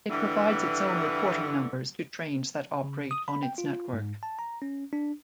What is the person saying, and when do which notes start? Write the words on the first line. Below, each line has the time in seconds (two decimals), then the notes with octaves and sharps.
It provides its own reporting numbers to trains that operate on its network.
0.09 G2 D3 E3
2.84 C#3
3.11 D#6
3.28 B5
3.43 G5
3.58 F4
3.93 G#2
4.23 A5
4.39 A#5
4.62 C#4
4.93 D4